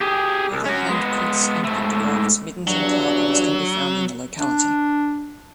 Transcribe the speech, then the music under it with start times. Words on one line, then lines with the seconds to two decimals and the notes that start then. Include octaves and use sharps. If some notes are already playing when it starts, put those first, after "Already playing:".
Other hand prints, and pictographs, middens and carvings can be found in the locality.
0.01 G4 G#4
0.52 C2
0.66 C#4 F#4
0.90 G#3 B3
1.65 G#2 A3
2.67 E2 G2 F#3 D4
4.38 D4